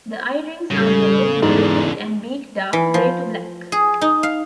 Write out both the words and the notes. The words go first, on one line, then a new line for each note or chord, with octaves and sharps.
Their eye-rings are yellow, with the feet and beak dark gray to black.
F1 A2 C#3 G3 A#4
E2 G#2 C#3 D4 A#4 D5
E3
F3
G#4
D#4
F5